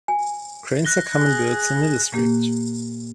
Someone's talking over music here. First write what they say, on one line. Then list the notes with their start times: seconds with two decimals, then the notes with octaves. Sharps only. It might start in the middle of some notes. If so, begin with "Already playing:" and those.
Cranes are common birds in the district.
0.08 G#5
0.85 F#6 A#6 G7
1.19 G#4
2.12 A#2 A#3 G4